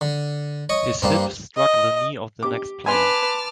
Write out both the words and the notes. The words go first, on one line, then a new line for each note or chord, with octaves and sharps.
His hip struck the knee of the next player.
D3
C#5 D#5 C#6
G2 G3 A#3 C4
D#5
G4 D6
B4 G#5 A5 C6 D6 F6